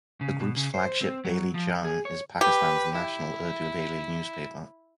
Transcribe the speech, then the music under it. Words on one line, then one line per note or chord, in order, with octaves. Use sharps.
The group's flagship "Daily Jang" is Pakistan's national Urdu daily newspaper.
C#3
B2
C#3
C5
C4
F#3
F3
G#4
C#5
G4 B4
E4